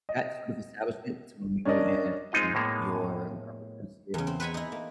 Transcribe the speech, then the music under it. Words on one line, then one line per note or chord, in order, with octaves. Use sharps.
that sort of establishment between you and, um, your garbage associate,
D#5
C#4 D4 A#4 D5 D#5
G#3 C4 D#4 F4 D#5
A2 G#3 A#3 B3
E2 C#3
C4
B4 C5 F#5 G#5 A#5 B5
D#4 E4
A#3